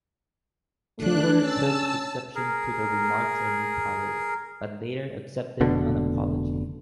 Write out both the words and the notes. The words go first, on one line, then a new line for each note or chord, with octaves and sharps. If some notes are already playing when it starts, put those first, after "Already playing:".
Tooher took exception to the remarks and retired, but later accepted an apology.
A3 D4 F#6
C#4 A5 E6
G#4 A#4
F1 B2 D3